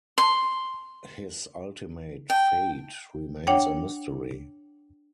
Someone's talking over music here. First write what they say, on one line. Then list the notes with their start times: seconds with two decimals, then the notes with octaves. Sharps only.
His ultimate fate remains a mystery.
0.18 C6
2.30 G5
3.47 D4 C#5 F#5 G5